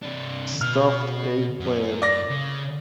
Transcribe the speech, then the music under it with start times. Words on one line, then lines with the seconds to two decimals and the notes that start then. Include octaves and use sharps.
Stuffed eggplant
0.03 C3 D4
0.61 B2 F6
1.60 F#2
2.02 D5 A#6
2.29 C#3